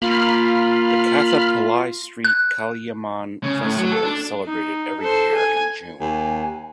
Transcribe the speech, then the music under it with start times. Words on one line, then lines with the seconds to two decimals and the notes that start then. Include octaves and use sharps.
The Kathapillai street Kaliamman festival is celebrated every year in June.
0.02 A#3 F4 B5 F6
2.25 F#6
3.44 C#3
3.63 A2
3.77 F#3
3.92 A4
4.04 D4
4.45 D#4
5.00 A4 C5
5.34 G#5
6.00 D#2 G#5